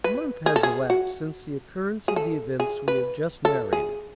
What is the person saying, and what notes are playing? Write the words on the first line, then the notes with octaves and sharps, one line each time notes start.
A month has elapsed since the occurrence of the events we have just narrated.
B4
G#4
A4
G#4
F#4
G#4
A4
G#4
B4
A4
G#4